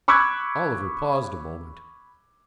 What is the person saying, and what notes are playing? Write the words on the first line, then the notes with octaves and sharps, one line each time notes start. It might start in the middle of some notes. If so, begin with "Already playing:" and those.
Oliver paused a moment.
B5 C#6 D6 E6 F#6 G#6